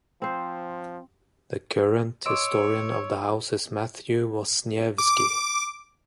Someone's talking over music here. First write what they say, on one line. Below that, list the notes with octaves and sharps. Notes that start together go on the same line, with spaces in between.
The current Historian of the House is Matthew Wasniewski.
F3 C4 C5
C#5 D#5 C6 D6 E6 D7
D6